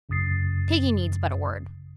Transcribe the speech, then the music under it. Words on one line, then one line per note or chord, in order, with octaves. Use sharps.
Piggy needs but a word.
A1 F#2 C#3 D#6 A6 C7